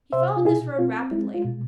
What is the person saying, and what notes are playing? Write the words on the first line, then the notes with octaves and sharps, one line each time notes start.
He followed this road rapidly.
C3 C5 E5
F4
B2 E4 G#4
C4 F4
G#3 E4
F4
B2